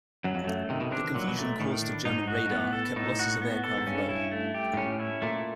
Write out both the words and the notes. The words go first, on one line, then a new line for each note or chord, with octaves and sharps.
The confusion caused to German radar kept losses of aircraft low.
F#2 F#3
F2
F#2 A3
C3 D#3
B2
C3 D4
A#2 F#3
B2
A#2 A3
A2 D#3
D4
G#2 D#4
F#4
G#2
A2 B3
A4
A2 D#4
F#4
B3
A4
G#2
G2 C#4
E4
A3
G4
G#2
A2 C#4
E4
A#2 A3